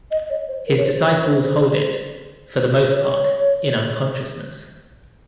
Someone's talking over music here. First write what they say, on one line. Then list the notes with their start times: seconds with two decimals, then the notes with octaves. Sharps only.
His disciples hold it, for the most part, in unconsciousness.
0.11 D#5
0.29 C#5
0.48 C5
0.67 A#4
0.77 C#5
0.85 C5
1.22 C5
1.42 C5
2.90 C#5